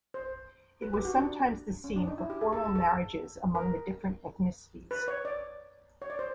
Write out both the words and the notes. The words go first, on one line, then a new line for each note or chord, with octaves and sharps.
It was sometimes the scene for formal marriages among the different ethnicities.
C5
B4
G4
F#4
D4
C#4
D4
D#4
E4
G4
G#4
A4
A4
A4
A#4
B4
C#5
D5
C#5
D5
C5